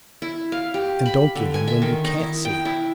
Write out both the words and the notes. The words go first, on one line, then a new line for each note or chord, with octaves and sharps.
And don't give in when you can't! see!
E4
F5
G4
B5
D3
G#5
E5
D#3
D#4
E4
G5
E4